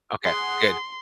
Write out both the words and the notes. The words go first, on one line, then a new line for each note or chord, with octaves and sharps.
Okay, good.
G#4 F#5 C6